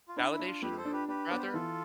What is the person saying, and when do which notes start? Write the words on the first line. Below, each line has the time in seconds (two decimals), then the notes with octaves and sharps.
Validation rather?
0.08 F4
0.17 D4 E4
0.32 E4
0.39 D4
0.47 F4
0.62 F2 G4 B4
0.77 A4 C5
0.85 D4
0.93 G4 B4
1.08 D4 G4 B4
1.30 B3 D5
1.38 C5
1.46 B4
1.53 E3 F4 A4